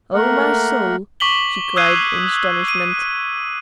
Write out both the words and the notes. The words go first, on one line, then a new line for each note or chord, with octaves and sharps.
"Oh, my soul!" she cried in astonishment.
A3 A#3 A#4 F#5
C#6 D6 B6 F#7 G7
D#6 E6 F#6 G#6 C7 D#7
D#7